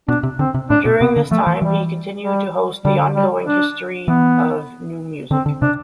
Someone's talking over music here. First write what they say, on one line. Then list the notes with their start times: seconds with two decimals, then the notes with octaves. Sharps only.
During this time he continued to host "The Ongoing History of New Music".
0.08 B2 D4
0.23 C3
0.39 D3 C4
0.54 C3
0.70 A2 D4
0.85 B2
1.00 C3 B3
1.16 D3
1.31 F3 A3
1.47 E3
1.62 E3 G3
2.23 G3
2.85 D3 G3
3.16 G3
3.47 D4
4.08 E3 B3
5.31 D3 C4
5.46 D3
5.62 C3 D4